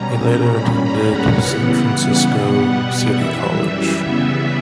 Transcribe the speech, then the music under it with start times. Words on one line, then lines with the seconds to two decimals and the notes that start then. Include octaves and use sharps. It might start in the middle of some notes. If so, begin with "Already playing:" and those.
He later attended San Francisco City College.
Already playing: B2 G3 C#4 A#5
0.10 A#5
0.54 A#2 G3 C#4 B5
0.83 A#5
1.12 F#5
1.41 C#3 E3 G3 B3
2.27 B2 G3 B3
3.14 F#2 E3 G3 E5
4.01 C#3 E3 G3 B3